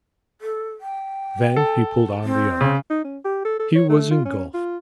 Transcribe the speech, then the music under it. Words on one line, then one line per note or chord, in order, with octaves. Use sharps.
Then he pulled on the other: he was engulfed.
A4
G5
A4
C4
C#3
D#4
C#4
G4
A4
A4
C#5
A3
F4
C#4
F4